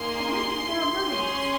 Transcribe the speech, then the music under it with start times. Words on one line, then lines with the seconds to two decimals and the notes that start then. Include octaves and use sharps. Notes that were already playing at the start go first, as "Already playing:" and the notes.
"And, Wendy, there are mermaids."
Already playing: A#3 D#4 G#4 C6
1.07 C#4 G#4